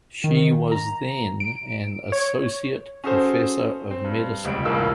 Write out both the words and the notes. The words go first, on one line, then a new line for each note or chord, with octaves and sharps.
She was then an associate professor of medicine.
D#3
A#5
D7
C#5
C#4 F#4 G#4 A4 C5
C4
G2
F1 C#2 G3 D7
D#1 C2 G2 E3 A#3 E6